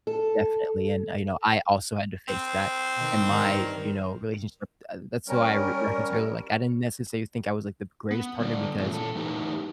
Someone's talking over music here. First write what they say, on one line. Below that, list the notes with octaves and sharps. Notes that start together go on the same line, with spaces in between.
definitely, and, you know, I also had to face that in my, you know, relationship, uh, that's why I re reference her. Like, I didn't necessarily think I was, like, the greatest partner because,
A4
C4
B2 D#3
G2 D#3 A#4
G3 C#4 A#4
B3
D3 G3 B3 D4 D5
A#2 E3 F3 G#3 A3 C#4
A#2 A4
A2 E3 G3 B3 D#4 G4